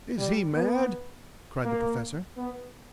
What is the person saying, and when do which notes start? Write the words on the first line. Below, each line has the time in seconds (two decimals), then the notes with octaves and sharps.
"Is he mad?" cried the Professor.
0.18 G3
0.54 B3
1.64 A#3
2.37 B3